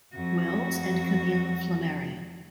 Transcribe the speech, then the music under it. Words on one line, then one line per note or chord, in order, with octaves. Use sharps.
Wells and Camille Flammarion.
F2 F#4